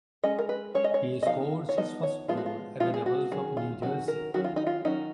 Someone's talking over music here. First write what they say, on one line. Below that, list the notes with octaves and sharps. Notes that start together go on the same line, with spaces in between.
He scores his first goal at the Devils of New Jersey.
G#3 C#4 D#5
A#4
B4
G#3 C#4 C#5
D#5
C#5
D#5
F3 B3 D#4 F5
C#5
F3 B3 D#4 D#5
C#5
F3 G#3 B3 F4
F#4
F4
F3 G#3 B3 F4
G#4
F#4
D#3 F#3 C#4 G#4
F4
D#3 F#3 C#4 F#4
A#4
D#3 F#3 C#4 F#4
F4
D#4
F4
D#3 F#3 C#4 D#4